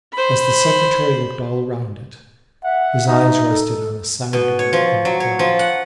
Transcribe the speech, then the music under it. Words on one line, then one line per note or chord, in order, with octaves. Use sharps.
As the Secretary looked all round it, his eyes rested on a side door in a corner.
C5 B5
E5 F#5
D#4
A4
B2
C#5
F3
F#3
C#5
F3
F#5